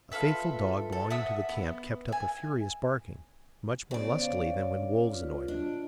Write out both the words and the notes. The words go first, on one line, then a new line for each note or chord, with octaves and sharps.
A faithful dog belonging to the camp kept up a furious barking, much more lustily than when wolves annoyed him.
F4 A4 B4 E5
A4
E5 F#5 D#6 E6
B3
E5 G#5
C#3 B3 D4 C5 D5
C#5 F5
F4 B4
D4 F4 D#5